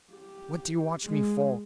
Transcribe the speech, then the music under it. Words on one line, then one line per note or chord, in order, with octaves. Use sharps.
'What do you watch me for?
G4
G#3